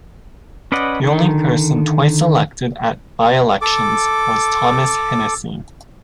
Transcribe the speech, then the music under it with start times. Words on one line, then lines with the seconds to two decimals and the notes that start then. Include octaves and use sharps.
The only person twice elected at by-elections was Thomas Hennessy.
0.72 C#4 B4 D5 D#5 F#5
1.00 D3 D#3
3.62 A4 D6